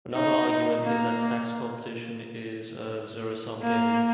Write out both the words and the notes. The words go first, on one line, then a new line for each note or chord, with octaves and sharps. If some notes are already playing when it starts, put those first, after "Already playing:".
Another argument is that tax competition is a zero-sum game.
D#4
A#3
A#3